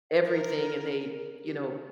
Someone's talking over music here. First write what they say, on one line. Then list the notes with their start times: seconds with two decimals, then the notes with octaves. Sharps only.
everything and they, you know
0.27 A#4
1.45 G4